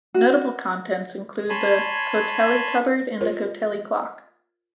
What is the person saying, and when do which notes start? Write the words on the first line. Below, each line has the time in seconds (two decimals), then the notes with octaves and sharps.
Notable contents include the Cotehele cupboard and the Cotehele clock.
0.14 F#4
1.50 C#5 G#5 A5 B5 C6
3.21 F4 A#4 C5 C#5